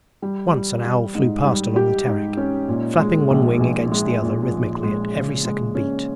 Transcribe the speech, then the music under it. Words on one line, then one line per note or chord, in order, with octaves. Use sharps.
Once an owl flew past along the Terek, flapping one wing against the other rhythmically at every second beat.
G3
G3
G3
G#2
G3
G4
G#2
C#4
A#2
G#3
A#1
A#1
G#3
A#2
A#1
G#3
C#3
G#3
C#4